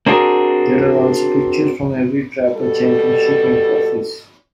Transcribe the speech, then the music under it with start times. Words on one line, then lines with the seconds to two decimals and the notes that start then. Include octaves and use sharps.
There are also pictures from every Trapper championship and trophies.
0.06 A#3 C4 D4 F#4 G#4 A#4
2.55 B2 G3 A4